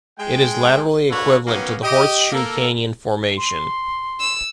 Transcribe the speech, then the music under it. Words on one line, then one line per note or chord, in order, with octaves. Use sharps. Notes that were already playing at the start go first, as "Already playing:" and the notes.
It is laterally equivalent to the Horseshoe Canyon Formation.
G#3 G5
A#3 D4 F#4 A4 B4 C#5
D#3 F#3 A#3 B3 C#4
G4 D#5
A#3 A4 A#4
C6
E6